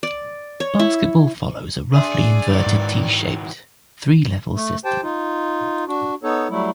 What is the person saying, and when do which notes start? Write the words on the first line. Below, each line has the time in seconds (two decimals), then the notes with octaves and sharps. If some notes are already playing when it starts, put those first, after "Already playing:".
Basketball follows a roughly inverted-T-shaped three-level system.
0.03 D5
0.60 C#5
0.79 E4
1.94 D4 G#4 D5 E5 C6
2.49 D#3 E3 F#3
2.67 G#2
4.54 A3
4.85 G4 C5 G5 A5
5.02 D#4 F4
5.88 D4 F#4
6.23 B3 D#4 A4 C#5
6.50 F#3 G3 A3 E4